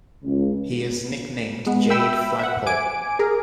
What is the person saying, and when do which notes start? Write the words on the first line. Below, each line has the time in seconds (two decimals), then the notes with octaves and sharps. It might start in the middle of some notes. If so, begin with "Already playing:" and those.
He is nicknamed "Jade Flagpole".
0.23 C#2
1.66 G#3 B3
1.90 E5 G5 B5 E6
2.39 E5 F#5
2.66 G#5 D6 D7
3.19 G#4 A#4